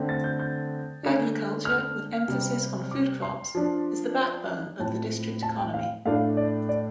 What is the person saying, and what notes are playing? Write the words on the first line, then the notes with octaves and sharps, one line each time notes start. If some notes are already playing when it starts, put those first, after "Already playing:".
Agriculture with emphasis on food crops is the backbone of the district economy.
Already playing: D3 A3 C4
A6
G6
G6
D3 A3 D4
F6
C3 G3 C4
D6
C6
F3 D4
A2 F3 C4 A5
A5
G5
F5
A2 A3 D4 F5
D5
D5